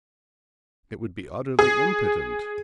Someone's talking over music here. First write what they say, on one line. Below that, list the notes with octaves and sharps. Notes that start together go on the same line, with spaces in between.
'It would be utterly impotent.'
G#4